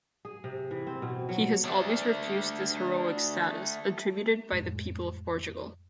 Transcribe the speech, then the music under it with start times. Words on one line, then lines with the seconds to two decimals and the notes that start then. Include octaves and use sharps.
He has always refused this heroic status, attributed by the people of Portugal.
0.25 G#4
0.44 C3
0.71 E3
0.87 C4
1.02 B2
1.29 F#3
1.65 A3 D4
4.52 F2 A2 G#3